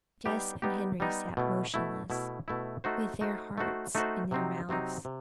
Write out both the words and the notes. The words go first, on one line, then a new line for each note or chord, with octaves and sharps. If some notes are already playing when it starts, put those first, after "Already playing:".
Jess and Henry sat motionless, with their hearts in their mouths.
G3 B3 D#4 G4
G3 B3 D#4 G4
G3 B3 D#4 G4
B2 A3 E4
B2 A3 E4
B2 A3 E4
B2 A3 E4
A3 D#4 F#4 C5
A3 D#4 F#4 C5
A3 D#4 F#4 C5
A3 D#4 F#4 C5
C3 F#3 C4 D#4
C3 F#3 C4 D#4
C3